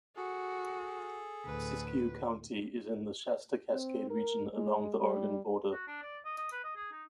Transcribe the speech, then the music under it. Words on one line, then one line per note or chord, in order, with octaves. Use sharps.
Siskiyou County is in the Shasta Cascade region along the Oregon border.
F#4 G#4 A4
D2 A2 B4
C4
A#4
G#3
G3
F#4
D4
D5
D#5
D#5
B4
D#5
G#4
D#4